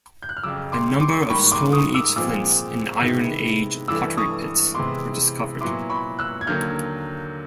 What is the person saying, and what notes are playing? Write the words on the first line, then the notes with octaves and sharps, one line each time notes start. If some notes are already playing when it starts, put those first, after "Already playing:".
A number of Stone Age flints and Iron Age pottery pits were discovered.
G6
F#6
F6
F2 C#3 F#3 D6 E6
C6 D6
C6 D6
G#2 D#3 G3 A#3 B5 C#6
C#6
C6 D6
C#6 D#6
D6 E6
A#2 F3 G#3 C4 D6 E6
C3 D#3 G#3 B3 E4
G2 E3 A3 D6 E6
C#6 D#6
C3 E3 G#3 B3 C6 D6
A#2 F#3 B3 E4 C6 D6
B5 C#6
E6 F#6
G#6
D#2 D3 F#3 A#3 F6 G6